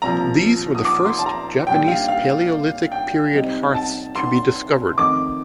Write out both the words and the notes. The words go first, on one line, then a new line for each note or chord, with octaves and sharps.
These were the first Japanese Paleolithic period hearths to be discovered.
C2 A#2 F3 A#5
D#6
D6
C6
A5
A#5
A#2 G3 D4 G5
F5
F5
G5
C3 G3 C4 D#4
A5
C6
F2 D#3 A3 D#4 D6